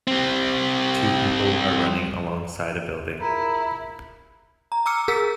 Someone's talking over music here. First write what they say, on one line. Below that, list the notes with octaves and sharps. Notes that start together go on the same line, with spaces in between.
Two people are running along side a building.
G3 C4
E4 F4 G#4 A#4 A#5
A#5
A#5 D6 E6 F6 C#7
G#4 A#4 E6 B6